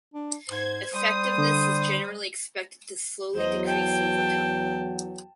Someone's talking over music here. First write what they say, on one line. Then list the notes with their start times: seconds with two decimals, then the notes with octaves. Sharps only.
Effectiveness is generally expected to slowly decrease over time.
0.14 D4
0.50 G#2 C5 G#6
0.94 G3 C5 D#6
1.38 D3
3.35 E2 F#3 C5 D#5
3.67 G5 A5